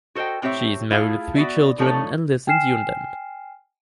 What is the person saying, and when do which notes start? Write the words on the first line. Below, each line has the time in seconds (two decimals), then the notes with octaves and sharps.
She is married with three children and lives in Dunedin.
0.15 F#4 A4 C5 D#5 G5
0.42 A2 C4 G4 C#5 E5
0.90 A3 E4 F4 G#4 F5
1.35 B3 F#4 D5 E5
1.78 D3 F3 A3 D#4 A4 C#5
2.47 G5 G#5 F6 C7 E7